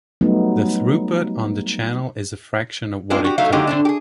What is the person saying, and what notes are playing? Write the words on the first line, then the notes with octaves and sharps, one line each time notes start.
The throughput on the channel is a fraction of what it could be.
F#3 G3 A3 B3 D#4
G#3 A#3 C4 D4 F4
F#4 G4
F#3 A3 D#4 E5 F5
D3 F#3 G#3 A#3 D#4 G4
D3 C4 D4
G4 G#4